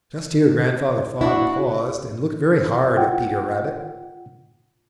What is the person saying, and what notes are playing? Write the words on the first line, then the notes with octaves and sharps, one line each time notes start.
Just here Grandfather Frog paused and looked very hard at Peter Rabbit.
A#2 D4 E4 F#4
F4 F#5 G5